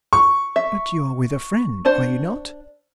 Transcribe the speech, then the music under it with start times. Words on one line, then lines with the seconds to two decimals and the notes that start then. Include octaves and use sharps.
"But you are with a friend, are you not?"
0.13 C#6
0.56 E5
1.85 D4 C5 F#5